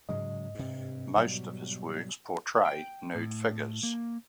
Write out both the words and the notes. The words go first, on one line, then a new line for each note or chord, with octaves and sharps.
Most of his works portray nude figures.
G#2 C#3 F#3 G#3 D#5
G2 C3
B2 F#3 G3
G5
A2
A#3